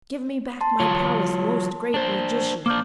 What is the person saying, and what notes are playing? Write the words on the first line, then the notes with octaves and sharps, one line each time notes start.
Give me back my Palace, most great magician.'
A5 C6
F#3 F4 C#5
D4 C5
A#3 D4 D6 F6 G6